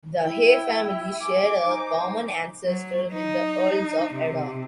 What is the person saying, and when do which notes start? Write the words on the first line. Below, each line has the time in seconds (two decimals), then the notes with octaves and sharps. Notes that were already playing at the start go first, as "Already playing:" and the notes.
The Hay family share a common ancestor with the Earls of Erroll.
0.22 E4 E5 G5
1.21 G#5 D6
1.63 D#4 C5
2.65 F#3
3.13 D#4
4.14 C3